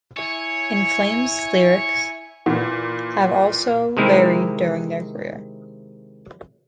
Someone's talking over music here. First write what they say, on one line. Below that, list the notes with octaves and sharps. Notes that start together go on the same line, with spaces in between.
In Flames' lyrics have also varied during their career.
E4 C#5 G#5
A#2 E3
C3 D#3 G#3 C4 E4 A#4